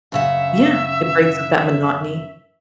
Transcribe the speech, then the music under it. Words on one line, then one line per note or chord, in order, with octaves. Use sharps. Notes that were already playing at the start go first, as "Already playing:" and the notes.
Yeah, it breaks up that monotony.
F#2 C#3 E5 F#5